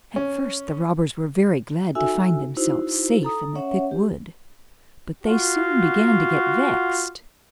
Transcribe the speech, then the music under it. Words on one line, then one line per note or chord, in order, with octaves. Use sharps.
At first the robbers were very glad to find themselves safe in the thick wood, but they soon began to get vexed.
C#4
D#4 F#4 A4 E5 G#5 E6
D#4 E4 F#4 C5
A4 A#5 D#6
C#4 C#5 E5 F#5
G4
F4 F#4